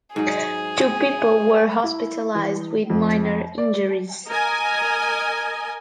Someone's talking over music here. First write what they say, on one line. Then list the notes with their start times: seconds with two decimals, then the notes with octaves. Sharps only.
Two people were hospitalized with minor injuries.
0.16 G#2 F#3 D#4 G#4
1.84 E4
2.35 E3
2.90 F2
3.58 D5
4.27 A#4 D#5 G#5